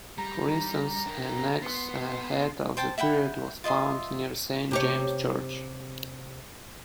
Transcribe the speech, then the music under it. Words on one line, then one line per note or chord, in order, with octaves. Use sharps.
For instance an axe head of the period was found near Saint James' Church.
G3 A#5
D4 A#4
B3 C6
C5 G5 A5
E5 F#5 G5 B5
F4 D#5 E5 C6
C3 G4 C#5